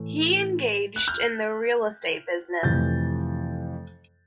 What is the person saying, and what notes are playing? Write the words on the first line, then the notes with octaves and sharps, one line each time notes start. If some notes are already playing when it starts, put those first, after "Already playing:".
He engaged in the real-estate business.
Already playing: A2 E3 A3
F#6
F6 G6
F2 C3 E3 A3 G6 A6